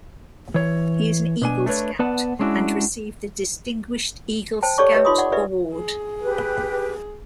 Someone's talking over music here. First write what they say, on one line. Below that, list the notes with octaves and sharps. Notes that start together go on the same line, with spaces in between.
He is an Eagle Scout, and received the Distinguished Eagle Scout Award.
E3 C#5
B2 D4 G#5
A3 D4 B4 C#5
B3 B4 D5 F#5 A5
G#3 C#4 D4 E4 F#4
C5 G5 A5
G4 A4 C#5 D5 C#6 D6
G4 B4 C#5 D#5 E5
D#4 F4 C6 D6 D#6
D5 F#5
G4 B4 D5 E5
G#4
G4 B4